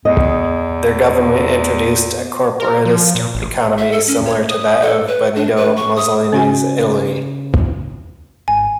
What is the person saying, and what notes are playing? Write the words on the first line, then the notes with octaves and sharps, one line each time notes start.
Their government introduced a corporatist economy, similar to that of Benito Mussolini's Italy.
E2 D#5
A#4
F3
A#2
A1
E5
A4
C#4
C#5
D#6
A4
B4
D4
B4
C#6
D#6
C#3 C#4 F#4 G#5
G#1 G#5